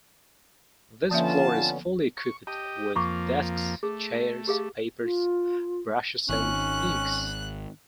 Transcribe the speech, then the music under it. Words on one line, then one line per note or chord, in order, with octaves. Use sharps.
This floor is fully equipped with desks, chairs, papers, brushes and inks.
D3 F3 A#3 B3 C#4 F4 E5 A5
C#6
G4 D#5 A5
F2 F3 A#3 A#5 C#6 D6
A3 G#4
G4 G#4 F5
F4
G#1 C#4 F#6